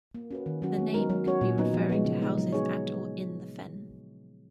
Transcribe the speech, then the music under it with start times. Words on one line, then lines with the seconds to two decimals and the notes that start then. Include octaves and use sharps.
The name could be referring to houses at or in the fen.
0.15 A#3
0.31 C#4 F#4 B4
0.46 D#3
0.62 F#3 C#4 F#4
0.78 G#3
0.94 B3 D#4 A#4
1.10 F#3
1.26 C#4 F#4 C#5
1.41 A#2
1.58 F#3 B3 D#4
1.74 F3
1.90 G#3 B3
2.05 C#3
2.22 G#3 B3 D#4
2.37 F#3
2.52 B3 D#4 G#4 C#5